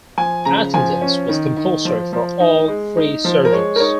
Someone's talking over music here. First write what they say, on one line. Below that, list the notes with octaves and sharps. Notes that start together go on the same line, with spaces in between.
Attendance was compulsory for all 'free' surgeons.
F3 G#5
C#3 A#5
F3 G#5
C#4
D#3
D#3
F3
F3
D#4
G#3
D#4
F3
A#4
G#3 C#5
A#4
D#4 C#5